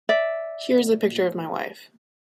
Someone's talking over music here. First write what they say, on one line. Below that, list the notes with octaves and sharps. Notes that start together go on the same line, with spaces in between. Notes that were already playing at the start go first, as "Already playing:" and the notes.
Here's the picture of my wife.
D5 E5